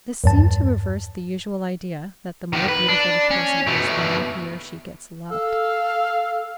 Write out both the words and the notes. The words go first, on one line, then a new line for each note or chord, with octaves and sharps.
This seemed to reverse the usual idea, that the more beautiful the person is the more he or she gets loved.
E2 G2 A5
D#3 B3
B4
D4
C#4
B2 A3
A4 F5 E6